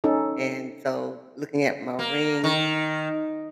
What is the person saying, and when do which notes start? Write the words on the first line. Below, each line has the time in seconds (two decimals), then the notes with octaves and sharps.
and so, looking at my ring
0.04 C#4 D#4 A4
1.99 A#3
2.44 D#3